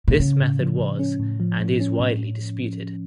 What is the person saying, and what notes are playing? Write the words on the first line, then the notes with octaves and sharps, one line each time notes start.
This method was and is widely disputed.
A#2
C#3 C#4
A2
F3
A2
C#4
A2
F3
A2
C#4
A2